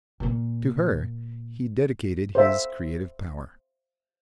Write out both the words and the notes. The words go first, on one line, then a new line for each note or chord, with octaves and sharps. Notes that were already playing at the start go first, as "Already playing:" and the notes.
To her he dedicated his creative power.
A#2 A#3
C5 E5